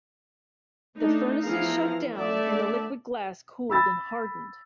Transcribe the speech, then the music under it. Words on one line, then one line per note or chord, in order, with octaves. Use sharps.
The furnaces shut down and the liquid glass cooled and hardened.
A3 D4 D#4
E3 F3 B3 G#4 F5 A#5
D3 A3 D5 E5 A5
B5 E6 A6